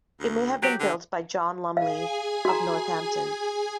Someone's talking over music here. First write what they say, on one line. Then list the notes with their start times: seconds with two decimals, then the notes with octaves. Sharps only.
It may have been built by John Lumley of Northampton.
0.20 D2
0.62 F#3 G4
0.80 D3
1.77 G#4 F5 G#5
2.45 F#4 A#5